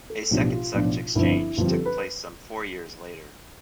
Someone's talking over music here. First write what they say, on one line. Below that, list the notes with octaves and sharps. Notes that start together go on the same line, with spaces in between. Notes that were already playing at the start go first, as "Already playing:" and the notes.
A second such exchange took place some four years later.
A4
B1 A2 F3 B3 D4 G4
F4
B1 A2 F3 B3 D4
G1 G2 D3 F3 C4 E4
G1 G2 D3 F3 C4 F4
G4
A4
B4